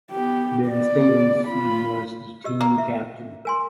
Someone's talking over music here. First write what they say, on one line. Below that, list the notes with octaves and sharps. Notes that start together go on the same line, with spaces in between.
Ben Stevenson was the team captain.
B3 G4
B3 D5
F4 B5
G4 D#5 E6
A#3
E5
A#4 G#5 C6